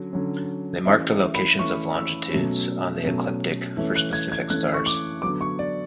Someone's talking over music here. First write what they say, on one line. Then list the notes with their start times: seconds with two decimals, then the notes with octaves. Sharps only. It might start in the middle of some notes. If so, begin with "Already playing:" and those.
They mark the locations of longitudes on the ecliptic for specific stars.
Already playing: D3 F#3 C#4
0.13 D3 F#3 C#4
0.86 E3 A3 C#4 E5
1.34 B5
1.58 E3 A3 C#4 C#6
1.96 E6
2.31 B2 F#3 A3 C#4
3.04 B2 F#3 A3 C#4
3.77 E3 A3 C#4
3.96 F#6
4.13 G#6
4.32 G#6
4.50 E3 A3 C#4 F#6
4.74 C#6
4.86 D6
5.22 D3 F#3 B3 D6
5.41 C#6
5.59 D5